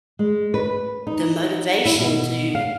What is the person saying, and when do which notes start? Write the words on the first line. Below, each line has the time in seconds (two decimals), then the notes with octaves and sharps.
the motivation to
0.19 G#3
0.54 B4
1.07 D#4
1.85 E4
1.99 B2
2.55 F5